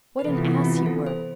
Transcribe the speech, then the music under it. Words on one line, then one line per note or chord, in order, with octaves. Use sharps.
"What an ass you were."
B4
C3 E3 B3 A4
F4
E4
F4
A4
C5